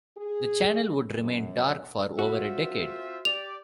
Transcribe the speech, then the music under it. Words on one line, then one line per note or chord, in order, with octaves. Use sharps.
The channel would remain dark for over a decade.
G#4
F#2
C4 F4 F#4 E5
G4 D5 F7